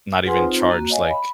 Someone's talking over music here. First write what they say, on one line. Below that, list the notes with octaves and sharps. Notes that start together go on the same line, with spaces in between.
not even charge, like
F4 G#4 B4 F#5 G#5 C6
C4 D#4 F4 C5
A#3 F#4
C#5 D#5 F5 G#5
B5